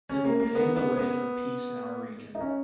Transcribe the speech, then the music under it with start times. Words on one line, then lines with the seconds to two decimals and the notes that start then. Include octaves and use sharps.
It will pave the way for peace in our region.
0.09 C#4
0.25 A#3
0.40 A#3
0.55 B3
0.76 B3
0.97 B3
2.35 D#4
2.41 C#4